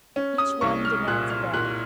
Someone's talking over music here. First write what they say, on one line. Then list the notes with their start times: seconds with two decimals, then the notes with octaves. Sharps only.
Each one demands a bed.
0.16 C#4
0.38 D#6
0.61 C2 C#6
0.85 F6
1.08 A#2 F#6
1.30 F6
1.54 A#2 F#6